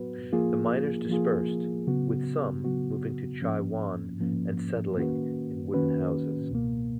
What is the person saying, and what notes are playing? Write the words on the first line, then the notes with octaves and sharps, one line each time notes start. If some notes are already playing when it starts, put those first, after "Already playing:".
The miners dispersed, with some moving to Chai Wan and settling in wooden houses.
Already playing: F#3 B3 F#4 B4
F3 A#3 F4 G#4
F3 A#3 F4 G#4
C#3 F#3 B3 F#4
C#3 F#3 B3 F#4
G#2 F3 A#3 C#4
G#2 F3 A#3 C#4
D#3 A#3 C#4 F#4 B4
D#3 A#3 C#4 F#4 B4
C#2 B2 A#3